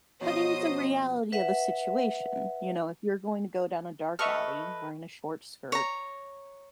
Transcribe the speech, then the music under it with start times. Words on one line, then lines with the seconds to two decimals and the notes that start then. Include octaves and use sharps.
But in s the reality of the situation, you know, if you're going to go down a dark alley wearing a short skirt,
0.21 B2 F3 F#3 C5 D#5 D#6
1.32 B4 E5 F#5
4.19 A4 B4 D#5 E5 C#6 F6
5.72 C#5 A#5